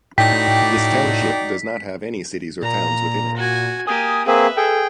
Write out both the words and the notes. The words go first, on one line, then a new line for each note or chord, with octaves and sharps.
This township does not have any cities or towns within it.
A2 D#4 F#4 D5 G5 B6
A#2 A#5
F#4 G#5
A#3 G4 G#5 D#6
A#3 C4 G#4 B4 E5
G#4 A4 G5